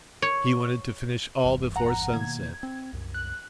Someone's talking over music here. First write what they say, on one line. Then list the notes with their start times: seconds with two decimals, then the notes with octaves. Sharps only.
He wanted to finish all before sunset.
0.22 C#5
1.44 G1 E2 G2
1.76 F#5 A#5
2.13 B2 D#3 A#3 G#6
2.63 C4
2.93 C2 F#2
3.14 F#6